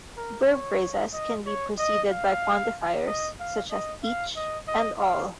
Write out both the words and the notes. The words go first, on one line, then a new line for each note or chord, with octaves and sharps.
Verb phrases can be preceded by quantifiers such as "each", and "all".
A#4
C#5
D#5
C#5
D#5
F5
D#5
F5
D#5
F5
D#5
D#5
F5